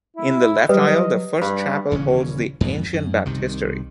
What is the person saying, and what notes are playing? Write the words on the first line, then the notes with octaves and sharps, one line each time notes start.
In the left aisle, the first chapel holds the ancient baptistery.
E4
F#3 G3 B4 D#5
G2
D#1 C#3 E3 C#4
F2 G#2 B2
F#2
C2 C3 D#3